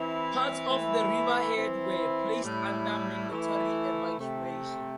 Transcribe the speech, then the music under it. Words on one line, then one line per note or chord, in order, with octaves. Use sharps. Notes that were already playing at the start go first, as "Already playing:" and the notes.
Parts of Riverhead were placed under mandatory evacuation.
Already playing: E3 C4 E4
E3 A3 E4
E3 C4 E4
A2 G3 E4
E3 A3 E4
C3 A3 C4